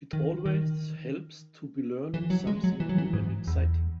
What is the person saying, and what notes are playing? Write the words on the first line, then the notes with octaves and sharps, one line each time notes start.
It always helps to be learning something new and exciting.
D#3
D#3
E3
F#3
G#3
F#3
E3
F#3
E3
G#2
E2